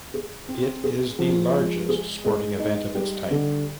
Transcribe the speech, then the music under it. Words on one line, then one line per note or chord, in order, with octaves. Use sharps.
It is the largest sporting event of its type.
G#4
C4
G#4
F3
G#3
G#4
G#3
D#4
G3
D3